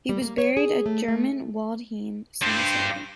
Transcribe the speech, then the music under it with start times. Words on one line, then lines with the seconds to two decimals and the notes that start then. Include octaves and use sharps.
He was buried at German Waldheim Cemetery.
0.09 G3
0.22 A#3
0.38 C#5
0.57 G#4
0.86 A3
1.08 A3
2.42 G2 C5